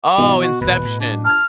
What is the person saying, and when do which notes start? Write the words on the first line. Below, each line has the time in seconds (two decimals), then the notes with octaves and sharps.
Oh, Inception.
0.18 G#2 B2 E3 D#5
0.42 F#4
0.61 D#1 A2 B4
0.85 A2
1.00 D4
1.25 A5 F6 G#6